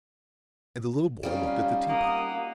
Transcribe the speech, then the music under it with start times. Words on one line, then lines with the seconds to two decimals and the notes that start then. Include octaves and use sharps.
And the little boy looked at the tea-pot.
1.23 G3 C#4 D#4 F4 F5
1.89 A#3 F#5 D#6